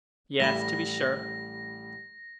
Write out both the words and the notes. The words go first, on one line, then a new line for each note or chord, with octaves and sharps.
"Yes, to be sure."
A1 G3 B5 A#6